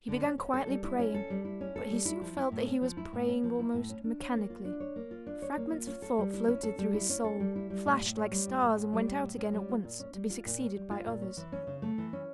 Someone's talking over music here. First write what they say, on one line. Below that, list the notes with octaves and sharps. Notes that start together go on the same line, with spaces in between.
He began quietly praying, but he soon felt that he was praying almost mechanically. Fragments of thought floated through his soul, flashed like stars and went out again at once, to be succeeded by others.
D3
C#4
C#4
A4
G3
E4
C#4
A4
G3
E4
C#4
A4
G3
E4
F3
E4
A2
C#4
F3
E4
A2
C#4
F3
E4
A2
C#4
D4
C#5
A#3
F4
D4
C#5
A#3
F4
D4
C#5
A#3
F4
C#4
A4
G3
E4
C#4
A4
G3
E4
C#4
A4
G3
E4
G3
A2
A2
C#4
G3
A2
A2
C#4
G3
A2
A2
C#4
G3
F4
A#2
C#4
G3
F4
A#2
C#4
G3
F4
A#2
C#4
E3
C#4
C#3
A3
E3
C#4